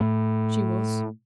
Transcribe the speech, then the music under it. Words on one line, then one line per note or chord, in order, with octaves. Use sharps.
"She was."
A2